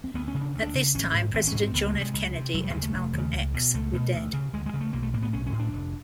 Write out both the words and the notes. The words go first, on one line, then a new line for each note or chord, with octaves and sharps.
At this time, President John F. Kennedy and Malcolm X were dead.
C4
D2 B3
C#4
C#3
D4
D2
D4
C#3
G#1 C#4
G#2
G#1 C4
C#4
G#2
C4
C#2 B3
A3
C3
G#3
C#2
C3
F1 F#3
G3
D#2 C#3 G#3
A3
F1
D#2 C#3
C#2
B2
C#2 A3
B2
D2
C#3
D2 G#3
G#3
C#3
A3
B1 A#3
A3
A2 A#3
B3
B1 C#4
C#4
A2
D4
F1